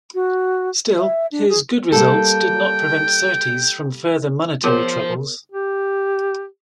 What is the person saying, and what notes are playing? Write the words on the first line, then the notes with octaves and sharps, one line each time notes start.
Still, his good results did not prevent Surtees from further monetary troubles.
F#4
E5
D4
G#4
G3 A#3 A4 G5
F3 B3 G#4 A#4 C5 C#5
G4